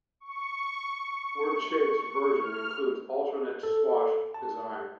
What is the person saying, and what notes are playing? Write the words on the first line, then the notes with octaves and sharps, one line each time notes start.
Wordshape's version includes alternate swash designs.
C#6
F6
A4
A5